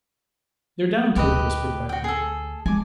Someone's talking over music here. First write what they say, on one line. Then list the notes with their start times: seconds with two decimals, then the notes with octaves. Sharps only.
"They're down to it!" whispered Breton.
1.16 D2 G4 B4 D#5
1.89 F#4 G5
2.04 G#4 A4
2.66 G#3 G#5 D6